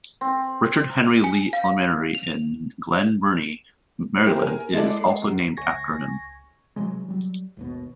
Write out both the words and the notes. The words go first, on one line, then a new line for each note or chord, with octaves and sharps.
Richard Henry Lee Elementary in Glen Burnie, Maryland is also named after him.
C4
G#5
F5
F7
A#3 E4 G4 G#4 A#4 C5
A#4 G#5
G#3 E4 A4 D5
G#3 C7
F#2
C#2 G#5 C#6 G#6 A#6
C3 E3 F#3 G#3
F#3 G3
G#1 D#2 B2